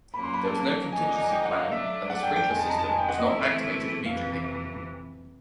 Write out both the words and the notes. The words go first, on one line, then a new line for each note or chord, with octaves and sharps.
There was no contingency plan and the sprinkler system was not activated immediately.
F#3 A#3 C#4 B5
C6
B5
A5
D3 F3 A#3 D#4 G#5
G#5
G5
F#5
F5
F#3 A3 D4 E5
F#5
G5
G5
F2 C3 D#3 G#3 G#5
A5
A#5
A5
G#5
G5
F#5
D#5
E3 A3 C4 E4 E5
F2 C3 E3 F5